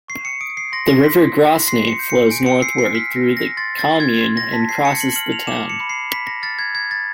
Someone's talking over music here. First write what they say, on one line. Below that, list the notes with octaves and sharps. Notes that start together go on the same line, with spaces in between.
The river Grosne flows northward through the commune and crosses the town.
C#6 C7
C#7
D#6 D7
C7
C6 A#6
A#6
C6 B6
F#6
C6 C7
C#7
G6
C#7
G#5 D7
C#7
E6 C7
C7
F6 B6
A#6
F6
A#6
C6 A6
A6
C6
G#6
C6
A#6
A5 B6
C7
A5 C#7
F#7
F6 F#7
F7
D6 E7
C#7
B5
C7
B5 B6
A#6
F6 A6
G#6
D#6 G#6
A6